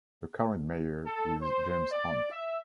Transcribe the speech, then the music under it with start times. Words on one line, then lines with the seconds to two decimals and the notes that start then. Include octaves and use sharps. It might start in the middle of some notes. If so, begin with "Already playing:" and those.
The current mayor is James Hunt.
1.05 A4
1.42 C5
1.92 D5
2.32 E5